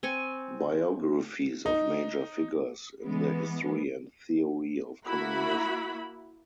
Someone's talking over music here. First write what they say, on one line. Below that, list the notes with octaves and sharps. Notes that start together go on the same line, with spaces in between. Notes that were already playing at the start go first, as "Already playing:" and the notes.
Biographies of "major figures" in the history and theory of communism.
C4 G#5 C#6
D#4
E3 G#3 B3
A#3 E4 F#4 E5 B5